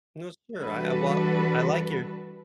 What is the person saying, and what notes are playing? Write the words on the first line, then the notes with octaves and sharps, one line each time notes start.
No, sure. I I well, I like your
E3 G3 D4 F#4 A4 B4